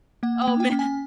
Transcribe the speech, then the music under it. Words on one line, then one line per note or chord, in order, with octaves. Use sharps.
Oh, man.
A#3 F#5
G5
A#3
G5
C#4
G#5